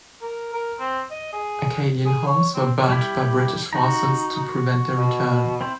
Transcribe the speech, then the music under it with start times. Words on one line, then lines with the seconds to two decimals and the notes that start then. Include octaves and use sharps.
Acadian homes were burnt by British forces to prevent their return.
0.22 A#4
0.54 A#4
0.80 C4
1.11 D#5
1.33 G#4
2.06 G#4
2.26 C#5
2.55 C4
2.89 G3 E4 G4
3.73 D#4 F#4 A#5
4.94 B2
5.61 C4 E4 C5